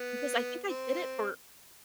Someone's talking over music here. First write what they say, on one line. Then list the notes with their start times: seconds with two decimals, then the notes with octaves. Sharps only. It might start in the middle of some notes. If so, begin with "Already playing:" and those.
Because I think I did it for
Already playing: B3
0.69 C4